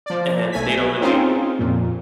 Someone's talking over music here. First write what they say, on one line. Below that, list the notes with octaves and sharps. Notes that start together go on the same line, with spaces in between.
and they don't really
F3 D5
B1 A3 G#5 G#6 B6
C4 C#4 D#4 F4 G#4
F2 A#2